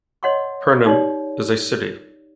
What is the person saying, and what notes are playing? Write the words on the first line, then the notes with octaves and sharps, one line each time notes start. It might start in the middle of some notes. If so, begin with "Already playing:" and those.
Pernem is a city.
C#5 D#5 F#5 C6 C#6
D#4 G4 C#5 D5